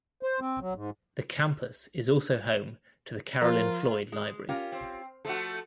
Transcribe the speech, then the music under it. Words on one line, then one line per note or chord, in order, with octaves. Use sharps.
The campus is also home to the Carolyn Floyd Library.
C5
C4
F#3
G#2
F3 F4 A#4
G#3
C#4 F4 G4 A#4
C4
F3 A3 F#4 A4